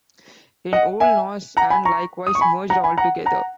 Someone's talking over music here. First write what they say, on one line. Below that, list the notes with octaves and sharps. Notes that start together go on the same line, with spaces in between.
In Old Norse, and likewise merged altogether.
D#5 F#5
E5 G#5
F#5 A#5
G#5 B5
A#5 C#6
D#6
C#6
G#5 B5
F#5 A#5
G#5 B5
F#5 A#5
F#5 A#5